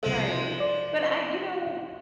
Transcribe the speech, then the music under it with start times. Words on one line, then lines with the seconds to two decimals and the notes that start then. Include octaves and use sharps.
Right. But I you know,
0.03 C2 F3 G#3 A4 E5
0.60 D5